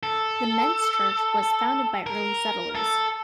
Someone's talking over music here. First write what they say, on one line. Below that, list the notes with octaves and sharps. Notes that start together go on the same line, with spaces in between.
The Mentz Church was founded by early settlers.
A4
A#4
A4